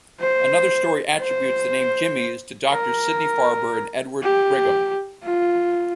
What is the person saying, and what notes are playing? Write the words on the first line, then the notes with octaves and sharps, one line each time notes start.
Another story attributes the name "jimmies" to Doctor Sidney Farber and Edward Brigham.
C5
C5
A#4
G4
F4